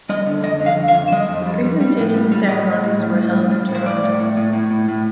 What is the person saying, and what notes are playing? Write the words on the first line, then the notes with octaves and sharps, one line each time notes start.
The presentation ceremonies were held in Toronto.
G3 D#5
D3
F2 D#5
D3
F5
F2
F5
F2
G3 D#5
F2
G3
G3
G3
A2
G3
G3
A2 D#5
G3
A2
G3
A2
G3
G3
A2
C5
A2 D5
A2
A2
A2
A2
A2
A2